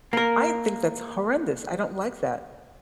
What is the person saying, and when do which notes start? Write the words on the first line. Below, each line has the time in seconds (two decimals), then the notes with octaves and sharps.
I think that's horrendous. I don't like that.
0.13 A#3 A#4